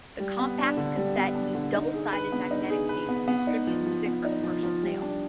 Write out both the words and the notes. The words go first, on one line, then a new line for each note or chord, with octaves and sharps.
The compact cassette used double-sided magnetic tape to distribute music for commercial sale.
G3
B3
D4
D3
G3
B3
D4
D3
D#4
G#4
B4
B3
D#4
G#4
B4
B3
B3
D#4
F3
F3
B3
D#4
F3
F3
G3
D4